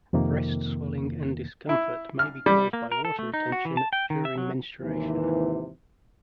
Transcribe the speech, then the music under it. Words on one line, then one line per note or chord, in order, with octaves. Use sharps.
Breast swelling and discomfort may be caused by water retention during menstruation.
F2 C3 D#3 A#3
E4
F6
G3
A#3
A#4
A4
A3
D#4
F#4
E3
A5
G5
D#3
E5
F#3
D#2 G#2 C3 E3